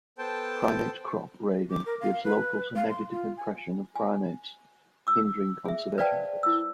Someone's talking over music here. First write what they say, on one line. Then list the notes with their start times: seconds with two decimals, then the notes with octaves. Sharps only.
Primate crop raiding gives locals a negative impression of primates, hindering conservation efforts.
0.18 B3 A4 C5 G5 A5
1.71 D6
1.86 A#4
2.01 F5
2.24 B4
2.76 F5
2.89 C6
3.11 F4
3.37 G#5
3.96 G#5
5.07 D6 E6
5.65 G#4 E5
5.98 B4 C5 D5 F5 G5 A5
6.43 E4 E6